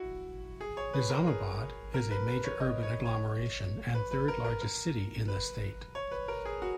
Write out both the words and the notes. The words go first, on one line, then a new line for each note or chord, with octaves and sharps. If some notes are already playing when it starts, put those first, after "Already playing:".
Nizamabad is a major urban agglomeration and third largest city in the state.
Already playing: E4 F#4
G#4
C#5
B4
A#4
G#4
A#4
B4
B4
C#5
D#5
C#5
C#5
B4
B4
A#4
A#4
A#4
B4
C#5
B4
A#4
G#4
F#4